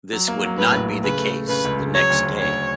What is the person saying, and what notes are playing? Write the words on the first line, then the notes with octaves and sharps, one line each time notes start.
This would not be the case the next day.
F#3
A#3
F#3
A2 B4
A#1
F#3
C#3 B4
A3
A3
C#3 B4
C#2
C#3
F#3 C#5
D2
D2
D2 C#5